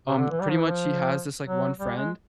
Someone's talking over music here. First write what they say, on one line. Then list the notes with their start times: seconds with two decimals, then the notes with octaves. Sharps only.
um, pretty much he has this like one friend.
0.07 C3
0.19 D3
0.30 E3
0.42 G3
0.50 F3
0.59 E3
0.68 F3
1.45 F#3
1.79 G3
1.96 G#3